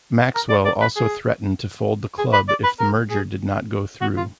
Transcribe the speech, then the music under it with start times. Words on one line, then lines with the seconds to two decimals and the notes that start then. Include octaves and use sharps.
Maxwell also threatened to fold the club if the merger did not go through.
0.35 A#4
0.50 D5
0.65 D5
0.81 B4
0.96 G#4
2.18 G#4
2.33 B4
2.49 D5
2.64 B4
2.80 A#4
3.10 G#4
4.01 F#4
4.17 F4